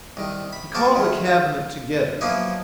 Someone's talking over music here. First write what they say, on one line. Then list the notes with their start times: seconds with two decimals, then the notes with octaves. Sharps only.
He called the Cabinet together.
0.17 C2 D#3
0.53 B5
0.75 A#3 B3 F#4 F5 G5 A5
0.95 D#3 G#3 A3
1.26 F4
2.21 F3 F#3 A#3 B3 D#4 E4